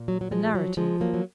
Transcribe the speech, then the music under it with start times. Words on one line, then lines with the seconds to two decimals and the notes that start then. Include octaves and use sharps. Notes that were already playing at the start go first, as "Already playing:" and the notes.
The Narrative.
Already playing: A#2
0.08 F#3
0.21 F#3
0.32 F3 G#3
0.55 F#3
0.77 F3 G#3
1.00 F#3 A#3
1.14 F#3